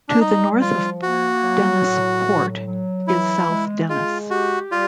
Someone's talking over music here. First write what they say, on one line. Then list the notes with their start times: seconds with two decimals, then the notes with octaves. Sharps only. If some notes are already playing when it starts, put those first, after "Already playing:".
To the north of Dennis Port is South Dennis.
0.09 D4
0.20 G3 D#4
0.61 F3 F4
1.02 A#3 F#4
1.43 F#3
1.84 A2
2.26 F#3
2.66 F#3
3.07 E3 E4
3.48 G#3
3.89 G#3 F4
4.30 F#4 G4
4.72 G3 F4